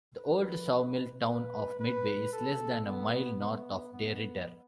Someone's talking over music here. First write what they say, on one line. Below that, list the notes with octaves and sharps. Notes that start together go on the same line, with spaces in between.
The old sawmill town of Midway is less than a mile north of DeRidder.
B4
B4
B4
A4
B3
B3
B3